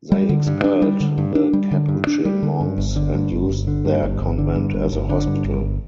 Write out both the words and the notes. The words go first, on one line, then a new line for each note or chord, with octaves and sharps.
They expelled the Capuchin monks and used their convent as a hospital.
G3
D3
G2
D4
G3
D3
G2
D4
G3
D3
G2
D4
G3
D3
G2
G1
D3
G2
G1
G1
D3
G2
G1
G1
D3
G2
G1
G1
D3
G2
G1